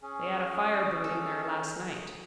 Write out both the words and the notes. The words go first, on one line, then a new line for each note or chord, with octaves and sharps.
"They had a fire burning there last night."
C#4 G#4
A4